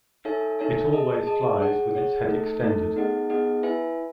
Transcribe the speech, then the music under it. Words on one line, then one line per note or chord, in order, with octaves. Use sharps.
It always flies with its head extended.
D#4 A4 C#5 E5 G#5
D#4 A4 C#5 E5 G#5
G#4 D#5 A5
G#4 D#5 A5
G#4 C#5 F#5
G#4 C#5 F#5
A3 D#4 A4
A3 D#4 A4
B3 D#4 G#4 D#5 F#5
B3 D#4 G#4 D#5 F#5
E4 B4 E5 G#5